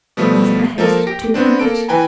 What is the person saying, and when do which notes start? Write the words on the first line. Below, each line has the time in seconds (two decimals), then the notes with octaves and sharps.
Was the haste too great?
0.17 B2 F3 G3 A3 B3
0.78 F3 A#3 A4 A#4
1.07 G4 A#6 D7
1.34 B3 C4 D4
1.59 A#3 A4 D7
1.88 E3 B4 G5 G#5 A#5